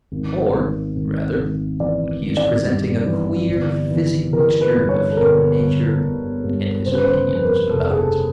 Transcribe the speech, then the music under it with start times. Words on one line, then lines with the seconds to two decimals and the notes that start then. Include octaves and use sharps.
Or, rather, when he is presenting a queer fizzing mixture of human nature and his opinions about it.
0.12 G#1
0.54 G#1
0.96 G#1
1.39 G#1
1.80 E3 D5
2.22 G#1
2.37 D5
2.65 G2
3.06 E3
3.49 G1
3.91 E3
4.33 E3 A#4
4.61 B4
4.75 G2
4.89 C#5
5.11 A4
5.17 G1 A#4
5.59 G1
6.01 G1
6.44 G2
6.86 C#3 C5
6.95 B4
7.04 C5
7.28 F2
7.35 B4
7.42 A#4
7.70 F1 A4
7.90 G#4
7.98 A4